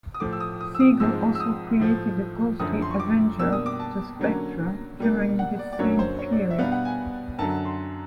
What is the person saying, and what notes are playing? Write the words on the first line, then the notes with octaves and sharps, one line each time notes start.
Siegel also created the ghostly avenger The Spectre during this same period.
D#6
A2 F3 A3 D6
E6
D#6
D#6
E6
D#6
G#2 F3 G#3 C4 E6
E6
D#6
A2 F3 A3
F#2 D3 F3 A3 D#6
C6
C#6
D6
B2 G3 A#3 D4 E6
D#6
D6
A5
D3 F#3 A#3 C#4
B2 G3 A#3 D4
F#5
D5
D5
F#2 D3 F#3 A#3 C#4 C#5
C5
C#5
D5
E5
B2 G3 B3 D4 F5
F#5
G#5
F#2 D3 F#3 A5
C6